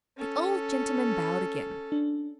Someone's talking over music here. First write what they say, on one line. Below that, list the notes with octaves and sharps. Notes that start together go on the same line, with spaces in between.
The old gentleman bowed again.
C#4 A4
D4